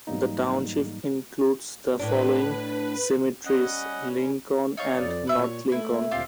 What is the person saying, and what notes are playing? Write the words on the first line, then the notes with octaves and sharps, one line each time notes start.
The township includes the following cemeteries: Lincoln and North Lincoln.
G#2 E3 F#3 G3 A#3 D#4
A2 D4 B4
G3 C#4 D#5 F#5
D#4 F4 C#5
F2 D5
A#2 B4 E5
C#5
A3 E4
D2 A#2 C4 F4 G4 F5